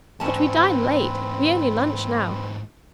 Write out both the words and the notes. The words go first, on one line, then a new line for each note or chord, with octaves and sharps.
But we dine late, we only lunch now.
D2 G#2 E3 C4 C#4 B4 A5